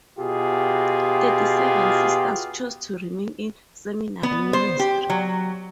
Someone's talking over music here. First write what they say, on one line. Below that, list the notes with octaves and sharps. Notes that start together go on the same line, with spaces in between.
Thirty-seven sisters chose to remain in Seminary ministry.
B2 F4 G4 G#4
B3
C5
G4
F#3